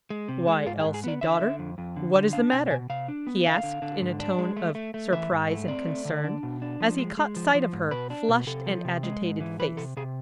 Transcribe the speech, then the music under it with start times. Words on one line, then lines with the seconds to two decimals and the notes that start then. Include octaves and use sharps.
"Why, Elsie, daughter, what is the matter?" he asked in a tone of surprise and concern, as he caught sight of her flushed and agitated face.
0.10 G#3
0.28 C3
0.47 G#3
0.66 G#2 F4
0.80 G#4
0.85 G#2
0.94 G#4
1.04 B3 D5
1.21 D3 E5
1.40 D3
1.59 F2
1.78 F2
1.96 D3
2.15 D3
2.33 D4 F5
2.52 B2 G#5
2.70 B2 G#5
2.90 C3 F5
3.08 D4
3.27 B3
3.46 D3 F5
3.63 D3
3.82 D3
4.01 G#2
4.20 D4
4.39 G#3
4.57 A3
4.75 A3
4.94 A3
5.12 E3 E5
5.31 G#2
5.50 A3
5.68 C4 D5
5.87 A3
6.05 D3
6.24 D4
6.43 B2
6.62 D4
6.81 F3
6.99 G#3
7.17 G#3
7.36 F3
7.55 F3
7.73 G#2
7.91 B2 B4
8.10 D4
8.29 B2
8.47 C3 A4
8.66 F3
8.85 C3
9.03 G#3
9.22 G#2
9.41 E3
9.60 E3 B4
9.77 C3 A4
9.97 C3 G#4